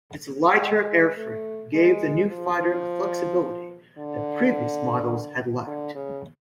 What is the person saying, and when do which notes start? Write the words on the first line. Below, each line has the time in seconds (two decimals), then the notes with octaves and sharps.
Its lighter airframe gave the new fighter a flexibility that previous models had lacked.
0.61 G#3
1.18 A3
1.74 G#3
2.29 F3
3.98 D3
5.67 D3
5.95 C#3